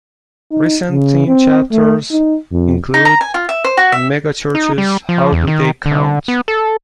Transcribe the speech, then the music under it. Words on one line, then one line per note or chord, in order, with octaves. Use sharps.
Recent theme chapters include, Megachurches: How do they Count?
D#4
C#3
C4
A3
D#4
F2
D#4
A#5
G#5
F4
E5
C5
F#4
E5
D#4
G3
F3
E2
D#3
D3
B3
A4